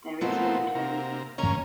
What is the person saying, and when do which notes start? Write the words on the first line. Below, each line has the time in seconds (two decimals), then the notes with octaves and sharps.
There is no tone.
0.21 B2 A3 A#3 C4 D#4 F#4
0.75 C3 A#4
1.38 C#3 A#3 C#4 D#5 G#5 A#5